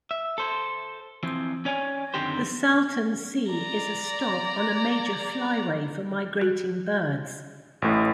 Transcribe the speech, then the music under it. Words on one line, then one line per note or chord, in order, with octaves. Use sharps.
The Salton Sea is a stop on a major flyway for migrating birds.
E5
A4 C5
E3 F3 C4
C#4 C#5 D5 G#5
F#2 D3 D#3 C4 G4 C5
D5 A#5
F#4
A1 A2